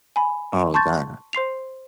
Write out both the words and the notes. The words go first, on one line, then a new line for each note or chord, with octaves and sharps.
Oh, god.
G#5 B5
A5 C6 C#6 G6 A6
C5 C6 C7 F7